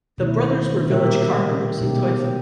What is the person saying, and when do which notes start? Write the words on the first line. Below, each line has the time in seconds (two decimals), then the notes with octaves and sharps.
The brothers were village carpenters in Teufen.
0.18 B2 D#3 A3 E4
0.88 A#2 C#3 G3 G4 A#4 E5
1.81 B2 F#3 G#3 D#4 G4